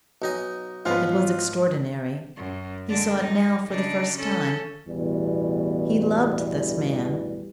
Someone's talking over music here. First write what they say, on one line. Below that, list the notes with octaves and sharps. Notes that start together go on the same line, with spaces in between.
It was extraordinary--he saw it now for the first time--he loved this man.
B1 D#4 G#5
G#2 F3 B3 C#4 F4
F#2
D3 G#3 D4
G#3 D#4
C#3 D4 D#4
C#4 A4
A1 E2 B2 G3